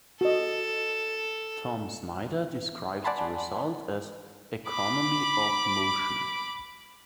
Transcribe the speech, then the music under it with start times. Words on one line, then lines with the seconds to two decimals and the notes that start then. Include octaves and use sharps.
Tom Snyder describes the result as "economy of motion".
0.21 F#4 A4 D#5
3.04 D5 F#5 G#5 A5 B5 C6
4.68 B5 D6